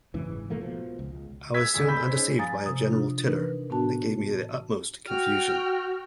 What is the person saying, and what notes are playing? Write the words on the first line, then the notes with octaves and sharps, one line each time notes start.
I was soon undeceived by a general titter, that gave me the utmost confusion.
F#1 G#2 C#3 E3
B1 F3 A3 A#3
B2 F3
C#2
E6 G#6 B6
D#1 G#1 G#4 E6
B5 G6 B6
C5
C#4 D#4 G#4
F3 F5 G#5 A#5 D#6 A6
C3 D#6
D4 F4
E3 D4 D#4 A#4 B4
A2 B3 D4 F#4 A5
F#4 G5 F6